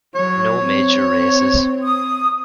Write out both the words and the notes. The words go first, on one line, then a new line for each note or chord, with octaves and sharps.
No major races.
F#3 C#5
C4
D#6